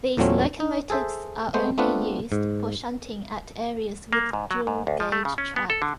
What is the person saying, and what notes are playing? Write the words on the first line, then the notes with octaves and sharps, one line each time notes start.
These locomotives are only used for shunting at areas with dual gauge track.
E2 A#2 F#3 A3 C4 C#4
D#4
G#4 A4 C5 E5
G#3 A3 B3 C5
A3 B3 C4 D4 F4 B4
G#2
A#3
G#2
F#3
G#2
D2
F3
A3
C#3
C#4
B3
A4
D3